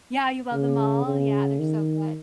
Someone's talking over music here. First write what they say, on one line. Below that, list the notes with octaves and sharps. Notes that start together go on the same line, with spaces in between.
yeah, you love 'em all? Yeah, they're so good.
C#3
C#3
D#3